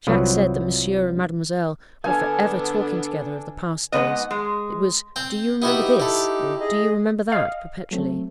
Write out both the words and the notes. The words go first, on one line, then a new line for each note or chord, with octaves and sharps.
Jacques said that Monsieur and Mademoiselle were for ever talking together of the past days,--it was 'Do you remember this?' or, 'Do you remember that?' perpetually.
C2 F3 F#3 B4
D3 B3 D4 A4 G#5 A5 F6
G#2 F3 B3 D#5
G#3
C4 G5
B3 D#4 E4 F#4 G4
E4 A4
G#4 D#5
D#5 F5
F#3 A3 C4